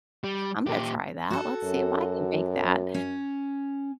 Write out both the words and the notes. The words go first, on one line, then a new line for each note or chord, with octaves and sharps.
I'm gonna try that, let's see if I can make that,"
G3
A#2 G4
F#4 A4
F#2
C#4